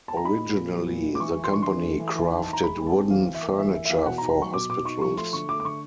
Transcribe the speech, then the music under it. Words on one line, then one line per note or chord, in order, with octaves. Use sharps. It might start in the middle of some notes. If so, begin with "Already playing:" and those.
Originally, the company crafted wooden furniture for hospitals.
A5
A#5
D#4 B5
A#2
A#2
F#3
A#2
D#4
D6
E3 C#6
E3
C6
D4 C#6
C6
E3
A3
E3
E3
D#4
E3 A5
A#5
G#3 B5
G#3
A5
C4
E3 F5
E3
E5
A#3
E3 E5
A#3 E5
E5
E3 F5
B2 F#5
A#5
D#4
A#5
F#3 C#6
B2 D6
B2 D6
D#4 C#6
F3 C#6
A3 C6
D3 C#6
A3 D6
D6
D3 C#6